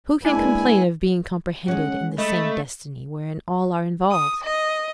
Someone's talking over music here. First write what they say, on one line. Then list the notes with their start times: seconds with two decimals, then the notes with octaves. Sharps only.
Who can complain of being comprehended in the same destiny, wherein all are involved?
0.25 G#3 A#3 D4 E4 B4 G#5
1.68 G#3 C#4 F#5
2.18 A3 D#5 B5
4.11 D#6
4.44 D#5